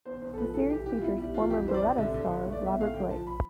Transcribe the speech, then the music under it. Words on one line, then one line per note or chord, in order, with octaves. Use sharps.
The series features former "Baretta" star Robert Blake.
E2 C5
E2 C5
A4
F3 B4
E3 A4
E3 G4
E3 G4
F4
B3 E4
G3 E4
E3 F4
F2 G4
E3 C5
D5
C3
D3 E5
D3
G2
A3
D5
B2 E5
A3 F5
D3 G5
F3 A5
B5